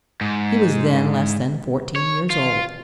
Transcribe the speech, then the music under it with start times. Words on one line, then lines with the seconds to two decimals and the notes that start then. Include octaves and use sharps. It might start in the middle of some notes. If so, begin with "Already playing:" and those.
He was then less than fourteen years old.
0.21 G#2
1.96 C#5
2.30 F4